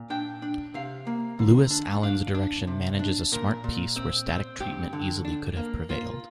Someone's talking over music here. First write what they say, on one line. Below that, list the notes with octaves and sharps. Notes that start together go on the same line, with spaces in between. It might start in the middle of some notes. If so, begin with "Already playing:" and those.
Lewis Allen's direction manages a smart piece where static treatment easily could have prevailed.
Already playing: A#2
D4 G5
D4
C3 F5
A#3
D3
D4
D4 F5
D4
C3
D4
A#2 A#4
A#2
C4
C4
G2 G4
D3
D4
A#3
A#3 F4